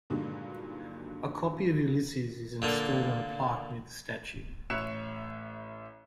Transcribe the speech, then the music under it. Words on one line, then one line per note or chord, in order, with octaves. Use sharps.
A copy of "Ulysses" is installed on a plaque near the statue.
G2 A#2 D3 D#3 F#3 G#3
A#2 D3 A#3
A1 C#5 E5 F#6 C#7 E7